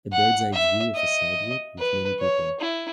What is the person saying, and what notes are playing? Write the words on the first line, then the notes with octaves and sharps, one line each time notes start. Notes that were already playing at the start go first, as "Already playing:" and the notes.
A birdseye view of a sidewalk with many people.
F#5
E5
D#5
B4
C#5
E4